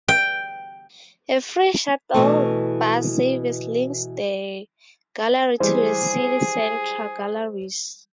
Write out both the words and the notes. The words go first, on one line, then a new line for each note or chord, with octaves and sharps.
A free shuttle bus service links the gallery to the city centre galleries.
G5
B2 E3 A3
E3 G3 G#3 G#4 C5